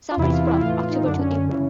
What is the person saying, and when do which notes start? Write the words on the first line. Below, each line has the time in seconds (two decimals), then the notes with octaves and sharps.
Summer is from October to April.
0.10 F4
0.17 E2 C3 E3 E4
0.31 F4
0.46 E4
0.60 A2 E3 F4
0.89 D#4
1.03 F#2 D3 D4
1.18 C#4
1.33 C#4
1.47 C#3 E3